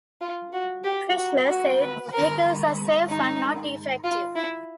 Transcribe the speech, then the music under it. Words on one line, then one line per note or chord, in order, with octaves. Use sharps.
Chrysler says the vehicles are safe and not defective.
F4
F#4
G4
F#4
F#4
B4
A#4
D#4
F4
E4